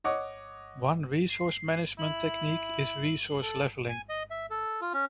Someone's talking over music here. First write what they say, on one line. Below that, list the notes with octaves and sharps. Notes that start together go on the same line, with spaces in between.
One resource management technique is resource leveling.
C#5 D#5 F#5 D6
C7
E4 F#7
A4
G#5
D#5
E5
A4
F4
C#4